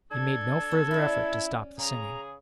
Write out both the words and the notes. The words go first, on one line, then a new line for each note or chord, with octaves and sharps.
He made no further effort to stop the singing.
D4 A4 G#6
B3
C#4 E4 D5
C#3 G#4 A#5